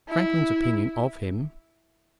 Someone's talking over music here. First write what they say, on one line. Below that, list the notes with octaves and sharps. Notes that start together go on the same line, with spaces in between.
Franklin's Opinion of him.
E4